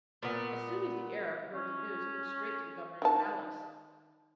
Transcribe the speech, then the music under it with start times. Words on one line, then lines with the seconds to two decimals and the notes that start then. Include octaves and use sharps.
As soon as the Arab heard the news, he went straight to the governor's palace.
0.23 A#2 B3
1.54 C#4
3.02 D#3 A5